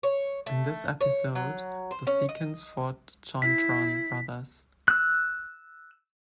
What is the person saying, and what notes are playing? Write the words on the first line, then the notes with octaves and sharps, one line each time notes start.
In this episode the Seacons fought the Jointron Brothers.
C#5
A3
C#5
F#3
C5
C#4
D#5
E4 B6
E6 F#6